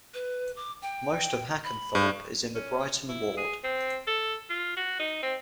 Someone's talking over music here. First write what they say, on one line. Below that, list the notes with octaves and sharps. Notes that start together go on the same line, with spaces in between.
Most of Hackenthorpe is in the Beighton ward.
B4
D6
G5
B5
G2
C#4
E4
G#4
C4
A4
F4
F#4
D#4
C4